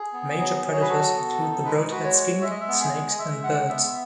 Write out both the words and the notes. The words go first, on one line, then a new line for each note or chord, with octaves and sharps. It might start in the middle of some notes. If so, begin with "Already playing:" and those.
Major predators include the broadhead skink, snakes and birds.
Already playing: G#4
B3
F#3
F#3
C#5
B4
F#4 A4
B3
D#4
G#3 B4
F#4
C#5
G#3
G#3 E5
D#5
E5
B3
G#4
G#3
D#5
G#3 E5
G#3 F#5
B3 E5